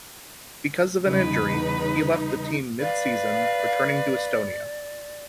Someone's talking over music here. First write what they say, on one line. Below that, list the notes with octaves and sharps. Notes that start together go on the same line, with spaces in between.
Because of an injury, he left the team mid-season, returning to Estonia.
E2 C#3 G3 D#4 B4
B4 D5 F5